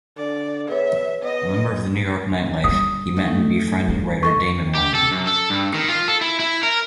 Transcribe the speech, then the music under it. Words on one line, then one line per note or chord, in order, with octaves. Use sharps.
A member of the New York nightlife, he met and befriended writer Damon Runyon.
D3 D5
B3 G#4 B4 C#5 E5
B3 D#5
D3 G3 D#6
A3 D#4 F#4
G3
F2 A4 D#5 C#6
G4
A4
F#2
A4
G2
D#3
F4
A4
E4
E4
A#4